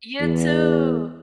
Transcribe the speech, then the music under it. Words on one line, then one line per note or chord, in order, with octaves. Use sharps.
You too.
E2